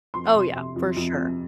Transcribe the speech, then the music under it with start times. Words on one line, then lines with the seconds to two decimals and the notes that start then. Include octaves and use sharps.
Oh, yeah, for sure.
0.14 F2 C6
0.35 C3
0.55 C3
0.76 F2
0.97 F2
1.17 F2